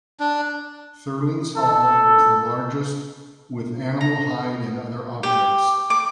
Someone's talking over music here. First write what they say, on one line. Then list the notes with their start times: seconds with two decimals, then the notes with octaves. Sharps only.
Thirlings Hall was the largest, with animal hide and other objects.
0.20 D4
1.57 A4
4.01 A#5
5.23 G4
5.90 D6